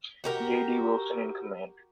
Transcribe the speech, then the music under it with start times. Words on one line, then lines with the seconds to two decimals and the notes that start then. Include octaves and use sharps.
J. D. Wilson in command.
0.24 F#4 G4 A#4